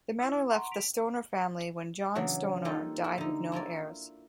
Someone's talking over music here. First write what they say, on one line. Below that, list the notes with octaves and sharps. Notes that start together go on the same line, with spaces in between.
The manor left the Stonor family when John Stonor died with no heirs.
E4 E6
F#5 G#5 A#5 C6 C#6
B6 D7 F7
C#3 E3 F#3 D4 F#4
G3 A#3 D#4 F4 A4
E4
D3 D#4
E4 F4 A#4 D5